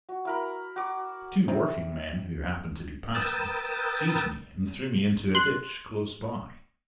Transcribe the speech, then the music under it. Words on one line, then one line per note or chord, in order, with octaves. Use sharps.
Two working men, who happened to be passing, seized me and threw me into a ditch close by.
F#4
E4 A#4 B5
F#4 D6
C3
A#4 B4 G5 D#6 E6 A6
C6 F#6